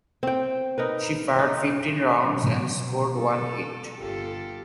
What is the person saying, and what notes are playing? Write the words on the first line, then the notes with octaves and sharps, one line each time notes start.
She fired fifteen rounds and scored one hit.
C4 G5
D#4 A#4 B4
D#4
B2 F#3
A4
G1 F4 G4 A4